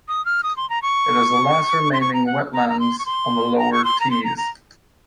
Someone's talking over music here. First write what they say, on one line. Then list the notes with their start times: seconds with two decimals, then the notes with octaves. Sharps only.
It is the last remaining wetland on the lower Tees.
0.08 D#6
0.26 F6
0.43 D#6
0.57 C6
0.70 A#5
0.82 C#6
1.93 C6
2.01 C#6
2.14 A#5
2.27 F#5
2.53 A#5
2.69 A#5
2.80 C6
2.99 C#6
3.06 C6
3.59 A#5
3.73 C#6
3.84 C6
4.00 A#5
4.11 C6
4.24 A#5
4.37 A#5